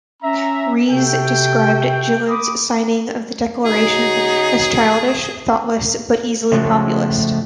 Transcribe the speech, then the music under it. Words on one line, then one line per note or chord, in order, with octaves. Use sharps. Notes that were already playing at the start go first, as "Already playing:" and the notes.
Rees described Gillard's signing of the declaration as childish, thoughtless but easily populist.
C#4 E5 A#5
C3 F#4 A4 G5
B5 D6 D#6
C#3 D#4 F#4 G#4
A2 C#3 F3 G#3 A3 F#4